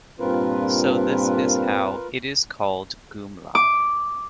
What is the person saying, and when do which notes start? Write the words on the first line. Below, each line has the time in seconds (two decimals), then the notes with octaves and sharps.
So this is how it is called Gumla.
0.20 G2 A#2 C4 F4 A#4 B4
3.55 D6